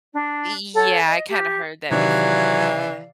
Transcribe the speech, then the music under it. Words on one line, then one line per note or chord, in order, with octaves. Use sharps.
Y yeah, I kinda heard that before, yeah.
D4
A4 C#5 F#5
D#5
G4
C3 D#3 E3 F#3 D5 F5